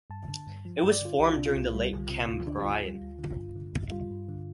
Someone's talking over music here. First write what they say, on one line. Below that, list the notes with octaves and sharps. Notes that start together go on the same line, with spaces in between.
It was formed during the Late Cambrian.
G2 A5
D3
G2
F3
G5
G2
D5
D3 F4
C2 G4
F4
C3 D4
F4
C2
G3
C2
C3
D2 F4
D3 D4
G4
D2 F4
G3
D2
D3
G2
D3
G2
G3 F4
G2
D3